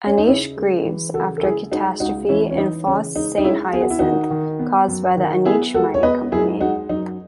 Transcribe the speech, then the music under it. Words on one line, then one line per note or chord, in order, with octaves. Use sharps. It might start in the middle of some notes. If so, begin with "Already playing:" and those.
Aniche grieves after a catastrophe in Fosse Saint-Hyacinthe caused by the Aniche Mining Company.
C#4
D#4
C#3 C#4 E4
G#3
E3
C#3 F#4 A4
A4
G#3 E4 G#4
G#3 D#4 F#4
C#2 D#4 F#4
E3 C#4 E4
C#4
E3 D#4
C#3 C#4
G#3 D#4
D#4
G#3 C#4 E4
B3 G#4
F#4
E4
D#3 D#4 F#4
D#3
B3
F#2
D#3
B3 E4 G#4
G#3 F#4 A4
C#5
B3 B4 D#5
F#2 E4 G#4
G#3 D#4 F#4
F#2 D#4